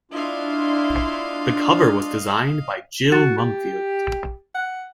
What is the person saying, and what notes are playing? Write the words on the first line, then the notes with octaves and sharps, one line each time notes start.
The cover was designed by Jill Mumfield.
D4 E4 F4 D#5 F5 C6
F#4 A6
G4
F#5